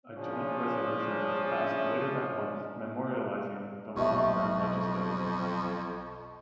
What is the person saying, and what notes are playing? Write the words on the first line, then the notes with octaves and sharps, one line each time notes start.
A Joint Resolution was passed later that month memorializing the longtime legislator.
C#3 F3 C#4 D4
B1 F2 B2 G4 D#5 E5 A5 C#6